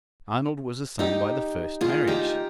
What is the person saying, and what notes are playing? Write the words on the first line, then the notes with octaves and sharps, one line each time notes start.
Arnold was a son by the first marriage.
D#4 G4
F4 G#4
D#4 G4